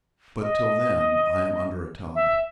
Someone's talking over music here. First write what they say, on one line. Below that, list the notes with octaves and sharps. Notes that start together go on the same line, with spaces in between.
But, till then, I am under a tie.
D#5
E5